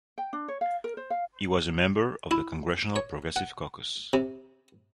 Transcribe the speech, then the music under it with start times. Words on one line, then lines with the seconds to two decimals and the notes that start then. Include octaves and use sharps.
He was a member of the Congressional Progressive Caucus.
0.18 G5
0.33 D4
0.48 C#5
0.61 F5
0.84 A#4
0.97 C5
1.10 F5
2.31 E4
2.96 C#5
3.36 F#5
4.13 C3